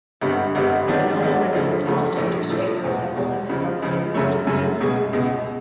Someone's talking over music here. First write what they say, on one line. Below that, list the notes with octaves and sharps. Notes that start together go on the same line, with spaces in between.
The noblemen who had lost Andrew's favor assembled in his son's new court.
G#1 G2 D3 G3 B3
G#1 G2 D3 G3 B3
G#2 D#3 F#3 B3 D4
G#2 D#3 F#3 B3 D4
D2 C#3 F3 A3
D2 C#3 F3 A3
A#1 A2 F3 A3
A#1 A2 F3 A3
E2 B2 G#3
E2 B2 G#3
C#2 C#3 F3
C#2 C#3 F3
F#2 C#3 F#3 A3
F#2 C#3 F#3 A3
C#2 B2 G#3
C#2 B2 G#3